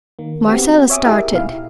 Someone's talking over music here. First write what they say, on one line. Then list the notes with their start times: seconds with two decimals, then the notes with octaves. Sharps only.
Marcella started.
0.19 D#3 A#3
0.47 B3 C4 F#4 G4
0.90 C#5 E5 G#5 D6 D#6
1.04 D#4 E4 G4 G#4 A#4 E5
1.32 B2 E4 F5